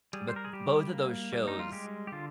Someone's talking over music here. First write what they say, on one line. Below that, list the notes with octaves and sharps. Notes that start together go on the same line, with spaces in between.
but, both of those shows,
G3 G#4
C5
A#4
G#4
G3 G4
A#3
G3
D#4
F4
G#3 G4
G4
D3 F4